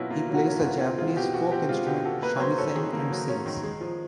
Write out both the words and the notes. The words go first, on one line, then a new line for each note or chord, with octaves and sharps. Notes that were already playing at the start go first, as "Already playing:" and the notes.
He plays the Japanese folk instrument shamisen and sings.
Already playing: B2 F#3 A#3 C#4 E4 F4
A#3 F4
F#3
F#4
C#4
F4
B2
C4 F4
G#3 F4
B2 G4
B2 F#4
C4 G4
G#3 F4
B2 G4
B2 A4
A#3 B4
C#5
F#3 C5
C#4 A4
D#3 G#4
A#3
F#3
C#4
D#3
G#3
F3